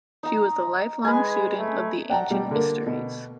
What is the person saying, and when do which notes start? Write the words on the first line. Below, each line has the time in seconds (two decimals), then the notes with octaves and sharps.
She was a lifelong student of the ancient mysteries.
0.23 D#4 A#5
1.04 G#3 B4 G#5
1.58 A3
2.09 D5 F#5 G5 A5 A#5
2.30 B2 G3
2.51 D3 A#3
2.87 B2